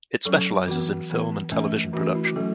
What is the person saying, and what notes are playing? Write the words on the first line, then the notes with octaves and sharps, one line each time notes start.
It specializes in film and television production.
F#3 C#4 A4
E3 B3 F#4
E3 B3
E3 A3 C#4
E3 A3 C#4 F#4
F#4
E4
F#4
F#3 A3 C#4 A4